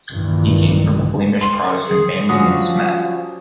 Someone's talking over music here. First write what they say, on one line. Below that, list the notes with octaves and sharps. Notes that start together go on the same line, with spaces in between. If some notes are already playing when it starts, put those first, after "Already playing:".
He came from a Flemish Protestant family named Smet.
A#1 G2 A#2 D#3 E3
C6
G#4
D3 F3 F#3 C#4 F#4 G4 D#6